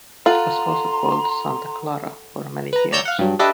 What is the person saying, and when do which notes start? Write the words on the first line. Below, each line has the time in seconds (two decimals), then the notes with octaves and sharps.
It was also called Santa Clara for many years.
0.26 F4 A4 F#5 A#5 C6
2.73 B4 A#5
2.92 C#5 D5 A#5 C#6 E6 G6
3.05 F5 F#5
3.19 G2 F#3
3.39 D4 G4 A4 B4 D#5 E5